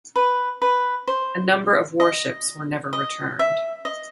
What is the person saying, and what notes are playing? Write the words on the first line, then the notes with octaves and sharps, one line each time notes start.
A number of warships were never returned.
B4
B4
C5
D#5
D#5
E5
D#5